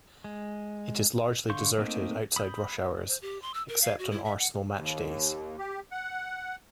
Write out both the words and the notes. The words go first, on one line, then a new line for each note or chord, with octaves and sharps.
It is largely deserted outside rush hours except on Arsenal match days.
G#3
D3 F5 C6 C#6 G6
A3 A#3 C4 D#4 D#5
B5 D#6 E6 G6
C5
G4
C6
E6
A#4
F5
F#4
E4
E5
F#5
D#2
G4
F#5